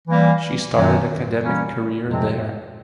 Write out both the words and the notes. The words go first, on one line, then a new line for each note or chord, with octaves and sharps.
She started academic career there.
E3 G3 A#3
F#2 D#3 F#3
E3 G3 A#3 C#4
F2 C3 F3 G#3 C4